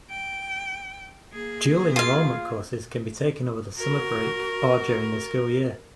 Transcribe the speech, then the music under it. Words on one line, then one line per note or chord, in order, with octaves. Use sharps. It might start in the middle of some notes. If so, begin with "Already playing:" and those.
Dual-enrollment courses can be taken over the summer break or during the school year.
G5
A#3 G#4
F4 F5
F#4 A#4